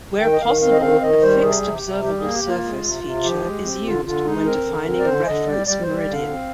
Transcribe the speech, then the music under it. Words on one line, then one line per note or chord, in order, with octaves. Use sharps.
Where possible a fixed observable surface feature is used when defining a reference meridian.
D#3 G5
D#5
D#3 F5
C4 F5
D#5
D#3 F5
D#3 D#5
G3 C5
C3 G#4
C3
G4
C3
G3 G4
A#3 G#4
G4
A#3 F4
G#3
C3
C3
F3 G4
G#3
C4
D3 F4
D3 F4
G#3 D#4
C4 A#4
D3
C4
D5
D3 C5
D3 D#5
G3 D5
G3 D5
C5
G3
D5
D3 F5
C4